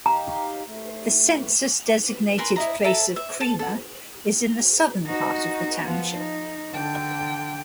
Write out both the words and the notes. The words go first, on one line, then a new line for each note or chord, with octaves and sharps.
The census-designated place of Kreamer is in the southern part of the township.
D#4 G4 F5 A#5
A3
A#4 B4 G#5 C6
E4 D#5 A#5
A4 E5 A5 A#5
E5
A4 A5
A4 F#5
D#4 F#4
F3 B3
D#4
D3 G5